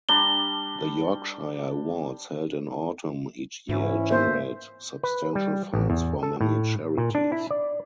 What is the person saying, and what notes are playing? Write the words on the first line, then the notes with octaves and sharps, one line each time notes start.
The Yorkshire Awards, held in Autumn each year, generate substantial funds for many charities.
G3 D4 A#5 G7
G#2 E3 C#4 E4
A#3 B3 C5 E5
B4
G3
A1
E2
A4
A2
A#2
D4
E4
D5